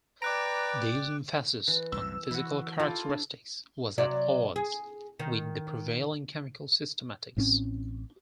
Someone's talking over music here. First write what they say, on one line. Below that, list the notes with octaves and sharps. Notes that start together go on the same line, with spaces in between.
This emphasis on physical characteristics was at odds with the prevailing chemical systematics.
B4 D5 G5 A#5 D6 F#6 D7
E3
C2 F#2 A2 E6
E3 E4 F#4
E4 F4 G4 A4
D4
C3 F#3 D5
G#4
D#3
A1 A2 C4 C#4